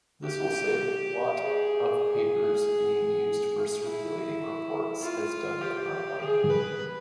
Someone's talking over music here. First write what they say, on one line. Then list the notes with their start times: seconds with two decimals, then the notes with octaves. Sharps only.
This will save lot of papers being used for circulating reports as done currently.
0.24 G4
1.43 G#4
3.82 E4
5.01 F4
5.61 G4
6.21 G#4
6.50 B4